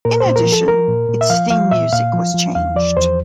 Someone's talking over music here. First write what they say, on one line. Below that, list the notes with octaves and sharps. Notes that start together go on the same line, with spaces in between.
In addition, its theme music was changed.
A#2 A#4
C5
A#2
A#4
F3
A4
F3 A#4
A#2
A#2
E5
F3 F5
F3 F5
A#2 E5
A#2 F5
F3
F3
E2 F5
F3 D5
E2 C5